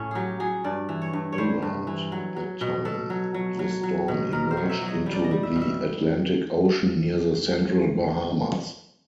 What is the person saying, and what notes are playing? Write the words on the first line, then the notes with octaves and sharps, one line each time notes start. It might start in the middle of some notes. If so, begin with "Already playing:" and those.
Around that time, the storm emerged into the Atlantic Ocean near the central Bahamas.
Already playing: A2 C#4
F#3 G4 G#4
F#3 G#4
G2 D5
E3
C#5
G2
C#5
G3 C5
G2
E3
F#3
F#3
B2
B2 A4
F#3
F#3
F#3
F#3
B2
B2 A#4
C5
F#3
E5
F#3
D#5
G3
D5
D#5
G3
E5
B2
E5